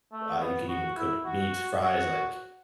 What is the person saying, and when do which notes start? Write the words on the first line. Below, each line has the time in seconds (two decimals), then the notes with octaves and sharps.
uh, you can even cook meat, fries, like
0.13 A3
0.40 B3
0.68 F#4
0.97 E4
1.25 F#4
1.82 F#4